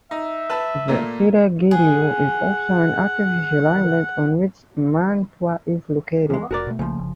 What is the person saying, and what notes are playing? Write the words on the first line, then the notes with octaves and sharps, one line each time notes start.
The Seraglio is also an artificial island on which Mantua is located.
D#4 E5
B4 A5
A#2 A3 A#3
G#4 F#5
E2 G#3
F1 F#4 A#4 D5
B2 A3
B1 C#3 F3 A3 A#3
G1